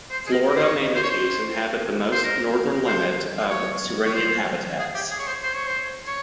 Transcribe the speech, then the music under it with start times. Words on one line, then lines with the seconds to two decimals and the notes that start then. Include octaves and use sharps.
Florida manatees inhabit the most northern limit of sirenian habitats.
0.11 C5
0.27 G#4
0.32 A#4
0.49 A#4
0.56 C5
0.63 C#5
0.95 C5
1.03 C#5
1.10 C5
2.12 C5
2.24 A#4
2.87 C5
3.50 C#5
4.05 C#5
4.14 C5
4.79 G#4
4.94 G4
5.10 G#4
5.19 C#5
5.27 C5
5.42 C5
5.55 C#5
5.67 C5
6.07 C#5